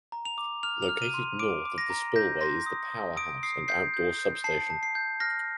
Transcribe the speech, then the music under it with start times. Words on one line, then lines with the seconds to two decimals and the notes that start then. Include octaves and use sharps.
Located North of the spillway is the powerhouse and outdoor substation.
0.12 A#5
0.25 F7
0.38 D6
0.63 F6 F7
0.82 F7
0.89 F6
1.02 D#7
1.14 C6
1.39 D6 D7
1.65 D6
1.78 A#6
1.90 A#5
2.16 G6 A#6
2.41 C6 A#6
2.66 D#6
2.92 D#6
3.17 D#6 D7
3.43 D#6 C7
3.68 G6 C7
3.94 G6
4.19 G6
4.44 A5 C7
4.70 A5
4.83 C7
4.95 G6
5.20 F6 A#6